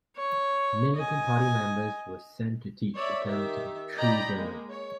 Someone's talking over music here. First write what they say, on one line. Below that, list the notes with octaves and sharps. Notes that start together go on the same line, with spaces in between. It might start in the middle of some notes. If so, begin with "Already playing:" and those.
Militant party members were sent to teach them to be "true Germans".
C#5
D#5 G#5
C#5 D5 E5
D#3 G4 E5
D5 D#5 G5 A#5 B5
G#3 A#3
C#5